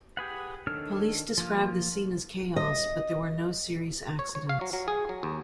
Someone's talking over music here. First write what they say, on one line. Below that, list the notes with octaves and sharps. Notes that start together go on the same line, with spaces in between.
Police described the scene as chaos but there were no serious accidents.
G4 G#4 B4 F#5
D#3 D4 A4 C#5 F6
F3 A#3 F4
D#5
C#5
C#5
F5
F#3
F#3
G#4
F#3
D#2